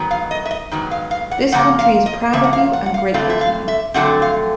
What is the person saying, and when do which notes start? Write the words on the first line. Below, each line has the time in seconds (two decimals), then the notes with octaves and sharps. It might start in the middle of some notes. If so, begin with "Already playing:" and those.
This country is proud of you, and grateful to you.
Already playing: G#2 D#3 F#3 B3
0.11 F5
0.31 D#5
0.46 E5
0.51 D#5
0.71 G#2 D#3 F#3 B3
0.91 F5
1.11 F5
1.31 F#5
1.52 C#3 F3 A#3 F#5
1.79 F5
2.06 D#5
2.33 C#3 F3 A#3 E5
2.44 F#5
2.53 F5
2.73 F#5
2.86 F#5
2.94 F5
3.14 F2 D3 F#3 A3 C4 F5
3.30 E5
3.41 F5
3.68 E5
3.94 F2 D3 F#3 A3 C4 F#5
4.22 F5